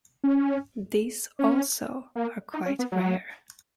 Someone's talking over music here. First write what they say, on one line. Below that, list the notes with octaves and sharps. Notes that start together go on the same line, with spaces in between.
These, also, are quite rare.
C#4
C#4
A#3
D#4
C#4
B3
F#3